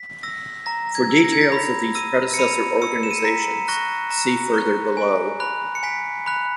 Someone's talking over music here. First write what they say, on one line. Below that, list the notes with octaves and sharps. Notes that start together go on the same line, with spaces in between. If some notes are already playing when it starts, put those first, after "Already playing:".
For details of these predecessor organizations, see further below.
Already playing: B6
E6 A#6
A#5 A#6
G#6
E6
A#6
G#6
A#6
B5
E6 D#7
C#7
B5 D#7
E6 C#7
E7
D#7
C#7
A#5 B6
C#6 F#6 A#6
A#5
C#6 F#6
G#5
B5 F#6
C#7
G#5 B6
B5 F#6